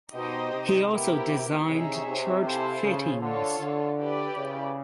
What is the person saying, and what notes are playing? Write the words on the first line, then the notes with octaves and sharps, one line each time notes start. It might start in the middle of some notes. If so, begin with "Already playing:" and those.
He also designed church fittings.
B2 D#4 G4 C5 D#5
C3
B3 E4 G4 A#4
C3 D#4 G#4 C#5 E5
C3
E4 A4 C5 F5 G#5
C#3
D3 F4 A4 C#5
D3
E4 G4 B4 D5
C#3